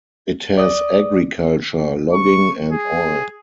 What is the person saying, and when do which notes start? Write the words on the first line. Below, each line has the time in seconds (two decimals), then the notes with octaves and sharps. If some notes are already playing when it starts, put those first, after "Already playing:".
It has agriculture, logging, and oil.
0.58 D5 D#6
2.13 C#6
2.72 G#4